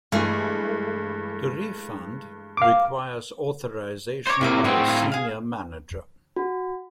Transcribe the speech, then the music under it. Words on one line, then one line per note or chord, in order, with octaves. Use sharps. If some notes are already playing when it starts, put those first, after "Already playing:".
The refund requires authorization by a senior manager.
G2 E3 G#3 A3
F5 D6
C5 C#5 A#5 D6
A2 C3 A#3 E4 D6
A2 C4 F#4 G#4 C#6
F5 G#5
G#4 F5
F#4